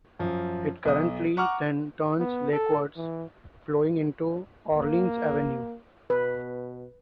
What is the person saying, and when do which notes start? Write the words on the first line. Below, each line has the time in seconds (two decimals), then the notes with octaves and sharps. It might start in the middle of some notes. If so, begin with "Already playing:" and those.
It currently then turns lakewards, flowing into Orleans Avenue.
0.19 F#2 F3
0.85 B1 D#6
1.37 F#5 A#5 C#6 D6 F6
2.19 B3
2.53 A4
2.97 E3
4.76 A#3
6.10 B2 B4